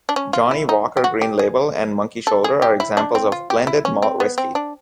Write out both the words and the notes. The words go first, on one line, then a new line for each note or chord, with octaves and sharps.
Johnnie Walker Green Label and Monkey Shoulder are examples of blended malt whisky.
D4
C#4
F4
E4
D#4
G4
F#4
G4
G#4
A4
G#4
G4
E4
D4
C4
F4
G4
E4
C#4
C4
B3
C4
D4